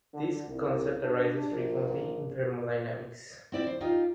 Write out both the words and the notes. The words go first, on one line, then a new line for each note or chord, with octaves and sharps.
This concept arises frequently in thermodynamics.
D3
C2
D4
A#1
C4 E4 D5 E5
C5
D#4 F4 G4